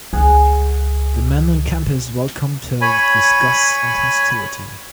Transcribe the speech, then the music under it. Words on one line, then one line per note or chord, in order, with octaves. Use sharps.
The men on campus welcomed her with disgust and hostility.
C#2 G#4 F#5
C#5 G#5 B5